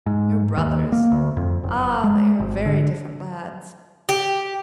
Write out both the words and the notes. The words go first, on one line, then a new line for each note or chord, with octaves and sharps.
Your brothers! Ah! they are very different lads!'
G#2
D#2
A#3
D2
F2
F#1
G#3
G#1
D3
G4